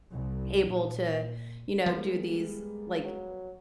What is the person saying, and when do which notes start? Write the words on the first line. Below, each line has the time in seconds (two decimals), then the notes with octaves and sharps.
able to, you know, do these, like
0.12 C2
0.70 A#2
1.86 F3 G3 G#3 A#3 B3
3.04 F#3